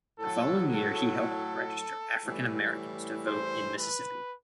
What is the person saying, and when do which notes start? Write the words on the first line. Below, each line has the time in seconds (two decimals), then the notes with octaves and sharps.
The following year he helped register African Americans to vote in Mississippi.
0.18 A2 F#3 A4
0.70 A4
2.23 A2 E3 G3
3.27 C5
3.77 B4